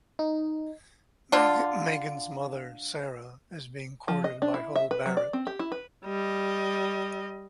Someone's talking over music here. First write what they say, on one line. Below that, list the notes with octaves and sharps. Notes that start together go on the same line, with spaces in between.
Megan's mother, Sarah, is being courted by Hull Barret.
D#4
D3 D4 F4
F3
D#5
D4
E4
E5
B4
F#3
D5
C4
G4
E4
B4
G3 D#5